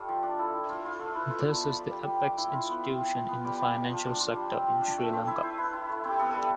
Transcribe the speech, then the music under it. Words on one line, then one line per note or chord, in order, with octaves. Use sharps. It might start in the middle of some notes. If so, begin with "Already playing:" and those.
This is the apex institution in the financial sector in Sri Lanka.
Already playing: G3 A3 F4
F3
D4
E4 A4
E4
F4
F4
A3 A4
E4 B4
F4 C5
D5
B3
A5
F3 B5
F3
G3
G3
F3 D6
E4 C6
F4
B3
C4
F4
F3
B3 C6
G3 D6
G3
F3
F3
D4 C6
F4
G3
C4
F3
D4
A3
C4
E4 E5
E4 C5
E4 B4
E4
A3
C4 G4
B3 A4
G3